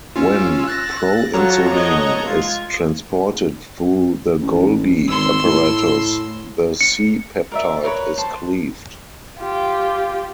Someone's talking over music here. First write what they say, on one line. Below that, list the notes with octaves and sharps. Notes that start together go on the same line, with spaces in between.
When proinsulin is transported through the Golgi apparatus the C-peptide is cleaved.
C#4 F4 E6
F#6 A6 A#6
F#3 F4 A4 C#5 A#5
D#5 F#5 G#6
G#3 F4 G#6
A1
G#1 C6 E6
A2
C#7
A#4 D5 E5
A#4 B4 C#5 B5
C5 A5
F4 G4